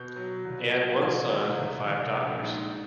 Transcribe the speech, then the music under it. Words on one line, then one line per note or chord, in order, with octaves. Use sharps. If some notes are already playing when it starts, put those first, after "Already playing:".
They had one son and five daughters.
Already playing: B2 G6
F#3
C2
F#3
C2 G#6
C2
C2
C2
A#1
G#2